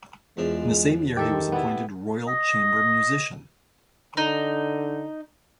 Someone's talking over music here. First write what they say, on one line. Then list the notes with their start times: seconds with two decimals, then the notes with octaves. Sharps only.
In the same year he was appointed Royal chamber musician.
0.37 E2 F3 G#3 D4
1.17 D#3 G4 A4 E5
1.52 B3 E4
2.28 D#5
4.17 D3 D#4